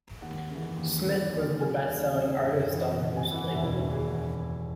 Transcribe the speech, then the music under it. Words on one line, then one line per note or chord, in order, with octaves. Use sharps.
Smith was the bestselling artist on the Roost label.
D#2 F#5
C#3 E3
D#2
C#3 E3
D#2
C#3 F#3 G#5
D#2
C#3 F#3
F#1
F#2 E3
F#1 F#5
G#5
F#2 E3
F#5
E1 E5
E4
F#4
D#2 C#3 E3
G#4